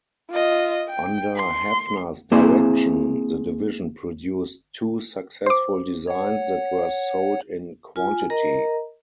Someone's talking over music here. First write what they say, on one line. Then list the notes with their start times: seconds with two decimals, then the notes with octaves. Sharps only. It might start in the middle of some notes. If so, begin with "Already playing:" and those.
Under Hafner's direction, the division produced two successful designs that were sold in quantity.
0.31 F4 D#5
0.89 G5
1.36 C6
2.32 A#3 C4 E4 G#4 C5
5.46 C5 D6
6.07 C#5 F#5
7.96 F4 G#5
8.30 A#4 D#5 A#5